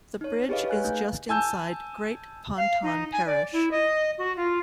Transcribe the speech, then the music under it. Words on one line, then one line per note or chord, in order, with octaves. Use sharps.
The bridge is just inside Great Ponton parish.
D#4 C#5
G4 G#4 B4 C#5 D#5 F5
B4 F5 G#5 F#6
A3 D#4 G6
G#5 A5 E6 G6
F5
D#4
G#5
D5
E4
D#5
F#4
F4